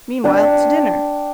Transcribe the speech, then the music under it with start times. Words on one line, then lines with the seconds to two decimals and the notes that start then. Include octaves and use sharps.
Meanwhile, to dinner!
0.24 D4 G5